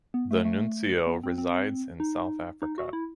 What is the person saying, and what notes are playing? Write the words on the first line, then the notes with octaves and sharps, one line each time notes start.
The nuncio resides in South Africa.
B3
A3
A3
B3
C4
C4
D#4
D#4
F#4
E4